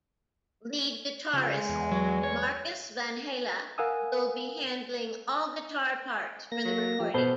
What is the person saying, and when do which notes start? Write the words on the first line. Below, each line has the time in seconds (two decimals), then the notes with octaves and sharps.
Lead Guitarist Markus Vanhala will be handling all guitar parts for the recording.
1.33 C#3 F3
1.53 G#3
1.69 E2
1.92 F#3
2.24 C#5
3.78 A#4 F5 F#5 G#5 D#6 E6
6.52 A#3 A#6
6.65 F#3
7.00 F3 G4
7.14 B2 A4 B4 C5